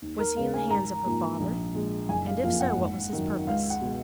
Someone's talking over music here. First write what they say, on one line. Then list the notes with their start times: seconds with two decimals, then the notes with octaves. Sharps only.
Was he in the hands of her father? and if so, what was his purpose?
0.02 D#2
0.19 A#4
0.36 C#3 G#3 F5
0.54 G#5
0.71 G#1 A#5
1.05 G#2 F3 A#3
1.40 A#1
1.74 A#2 G#3
2.09 F#1 G#5
2.26 F5
2.43 F2 F3 A#3 F5
2.61 F#5
2.78 G#1
3.13 F#2 D#3
3.47 C#2 F5
3.70 F#5
3.81 B2 G#3